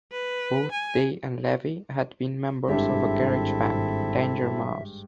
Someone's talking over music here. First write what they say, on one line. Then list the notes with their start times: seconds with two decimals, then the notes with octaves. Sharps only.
Both Day and Levi had been members of a garage band, Danger Mouse.
0.12 B4
0.72 G#5
2.68 G#1 G2 G#3 C4 E4 G4 A4 E5